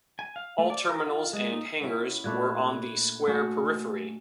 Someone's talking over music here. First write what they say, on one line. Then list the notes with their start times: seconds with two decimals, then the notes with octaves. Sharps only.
All terminals and hangars were on the square periphery.
0.19 G#5
0.36 F5
0.58 A3
0.70 D5
0.89 A#4
1.05 F4
1.33 G#3
1.51 D#4
1.81 B3 C#4 E4
2.24 A#2 A3 D4 B5 F#6 G#6
3.28 A3 D4 F#4 G#5